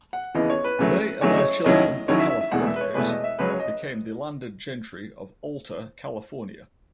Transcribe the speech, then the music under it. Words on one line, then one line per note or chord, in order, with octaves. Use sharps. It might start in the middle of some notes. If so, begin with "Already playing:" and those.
They and their children, the Californios, became the landed gentry of Alta California.
F#5
D#2 C#3 E3 B3 D#4 D#5
C#5
B4
E2 C#3 F#3 A3
E2 C#3 F#3 A3 C#5
D#5
C#5
D#2 D#3 F#3 C#4 E4 D#5
D#2 D#3 F#3 C#4 E4 C#5
E5
E5
E5
E1 E2 B2 A3 F#5
E5
B4
C#5
E1 E2 B2 A3 B4
D#5
E5
C#2 C#3 F#3 C#4 B4
C#5
D#5